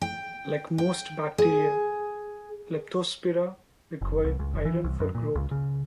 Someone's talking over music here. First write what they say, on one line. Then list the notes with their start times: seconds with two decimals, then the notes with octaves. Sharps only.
Like most bacteria, "Leptospira" require iron for growth.
0.01 G5
0.78 G5
1.38 G#4
4.01 F#1
4.24 C2
4.39 C#2
4.53 F#1
4.65 E3
4.84 C2
5.00 F#2
5.15 A#2
5.35 C#2
5.51 C#3